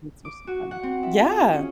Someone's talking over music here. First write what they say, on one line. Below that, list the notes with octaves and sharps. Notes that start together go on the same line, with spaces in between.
These are so fun. Yeah.
D6
F#4
F#5
C4
E4
F4
G#4
C#4